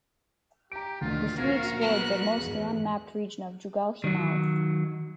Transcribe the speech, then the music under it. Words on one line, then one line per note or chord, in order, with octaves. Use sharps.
The three explored the mostly unmapped region of Jugal Himal.
G4 A#5 D7
D2 A#2 D#3 F4
A#1 F#4 A#4 C5 F5 G#6
F#3 B3 F#4 F#6
E2 G#2 G#4
D#3 F#3